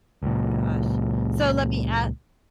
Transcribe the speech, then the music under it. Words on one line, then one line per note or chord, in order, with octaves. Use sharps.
Ooh gosh. So, let me a
C#2 A#2